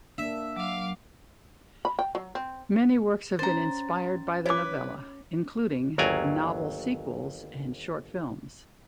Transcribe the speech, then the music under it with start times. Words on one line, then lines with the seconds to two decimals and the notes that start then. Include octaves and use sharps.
Many works have been inspired by the novella, including novel sequels and short films.
0.18 A#3 D4 E5
0.56 F#3 F5 D6
1.85 B5
1.99 G5
2.15 F#3
2.35 C4
3.39 C#4 C5 A#5 A6
4.46 E4 B4 C#5 D6
5.98 G1 D#2 F#3 D5 G#5 A#5